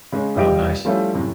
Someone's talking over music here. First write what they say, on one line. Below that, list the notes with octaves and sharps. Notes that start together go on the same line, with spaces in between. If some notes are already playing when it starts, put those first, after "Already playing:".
Oh, nice.
C#3 G#3 C#4
F1 G3 F4 G4 D#5 D7
F3 G3 A3 C#4 E4 F4
F#2 A2 C3